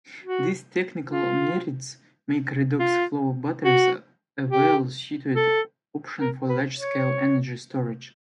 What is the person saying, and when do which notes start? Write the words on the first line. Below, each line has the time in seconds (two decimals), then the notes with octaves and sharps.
These technical merits make redox flow batteries a well-suited option for large-scale energy storage.
0.23 F#4
1.09 F4
2.79 F4
3.64 F#4
4.50 G4
5.35 A4
6.21 A#4
6.49 B4
6.77 C#5